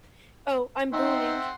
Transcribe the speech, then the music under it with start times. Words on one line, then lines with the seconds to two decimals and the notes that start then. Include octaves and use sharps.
Oh, I’m burning!
0.93 C4 D#4 E5 F#5 C6